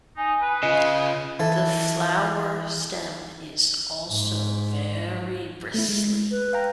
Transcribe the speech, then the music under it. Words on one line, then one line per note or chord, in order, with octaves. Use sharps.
The flower stem is also very bristly.
D#4 G#5
B4
C#3 F4 D#5
E3 A4
G#2
A3 E4
G#3
B4
F5 G5 A#5